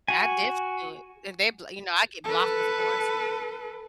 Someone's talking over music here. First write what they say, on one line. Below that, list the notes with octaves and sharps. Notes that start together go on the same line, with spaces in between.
I definitely do it, and they bl you know, I get blocked, of course.
F#4 G#5
A4 B4